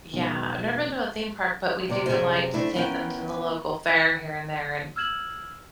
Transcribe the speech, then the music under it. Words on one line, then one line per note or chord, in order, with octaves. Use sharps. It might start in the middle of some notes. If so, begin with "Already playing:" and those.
Yeah, I've never been to a theme park, but we do like to take them to the local fair, here and there, and,
E1 B1
D2 C3 D5
F#2 C3 G#3 G#4 C5 F5
A3 C4 D4 E4
E3 B3 C#4 F4 A#4 G5
E6 F6 G#6 E7 F#7